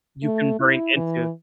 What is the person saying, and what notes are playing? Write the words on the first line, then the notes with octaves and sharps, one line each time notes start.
you can bring into
A3
E4
E3